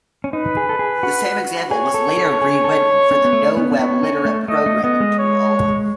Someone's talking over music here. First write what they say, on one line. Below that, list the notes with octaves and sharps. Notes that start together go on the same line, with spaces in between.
The same example was later rewritten for the noweb literate programming tool.
C#4
D#4 B4
G#4
A4
G#4
F#4
G#4 C#5
A4
A4
G#4
A4
C#4
B3
A3
B3
C#4
B3 C#5
C#4
A3
A3 D#5
A3
B3 D#5
G#3
C#5